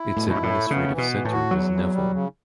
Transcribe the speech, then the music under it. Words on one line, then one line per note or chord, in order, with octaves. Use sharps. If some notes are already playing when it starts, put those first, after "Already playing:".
Its administrative centre was Nevel.
Already playing: E4
B2
A2
F#2 E4
G2
A2
A3
C#3 B3
E3
B2
E3
A2
F#4
E2 F#3
E2
G3
C#3